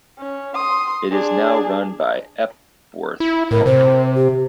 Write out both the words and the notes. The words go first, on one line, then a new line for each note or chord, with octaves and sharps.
It is now run by Epworth Healthcare.
C#4
C6 D#6
D4 G#4
E4
A2 A#4
C3 C5
G4